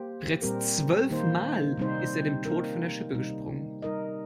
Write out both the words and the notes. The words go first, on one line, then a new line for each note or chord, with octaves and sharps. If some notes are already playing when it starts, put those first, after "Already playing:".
Bereits zwölf Mal ist er dem Tod von der Schippe gesprungen.
Already playing: A#3 G4 C5
A#2 G3 C4 G4 A#4
D#3 A#3 D#4 C5
C3 G3 C4 D#4 C5
A#3 D#4 A#4
C3 G3 D#4
G3 D#4 A#4 D#5